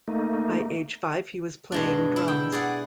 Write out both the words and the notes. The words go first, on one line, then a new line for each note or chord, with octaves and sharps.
By age five, he was playing drums.
A3 A#3 D#4
B2 G#3 D4
E4
G5
G#4 D5 F#5